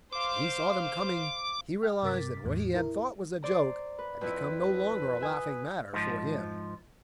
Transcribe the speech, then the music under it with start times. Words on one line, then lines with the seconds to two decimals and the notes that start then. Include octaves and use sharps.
When he saw them coming, he realized that what he had thought was a joke had become no longer a laughing matter for him.
0.13 C5 F5 D6
1.83 G5 F6
2.03 G2 C3 A#4 D6 A6 B6
2.44 E2 A2
2.74 E4 A#4
3.43 C5 D5 A#5
3.99 B4
4.21 F2 E4 B4
5.21 E5 G#5 D#6
5.93 G#2 F3